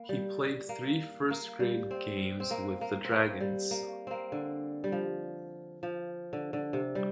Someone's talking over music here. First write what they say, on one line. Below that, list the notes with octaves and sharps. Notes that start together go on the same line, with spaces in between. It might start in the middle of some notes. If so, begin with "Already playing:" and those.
He played three first grade games with the Dragons.
Already playing: A#3
G3
A#3
A#3
G3
C4
C4
A#3
A#3
C4
A#3
G3
A#3
A#3 C4
D3
G3
F3
F3
D3
D3
C3
G3